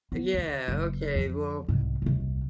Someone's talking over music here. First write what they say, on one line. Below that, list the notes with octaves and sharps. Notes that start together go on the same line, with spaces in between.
yeah, okay, well,
B3
D2 D3
F#1
F2 F3
C2 G#2
D#1 C2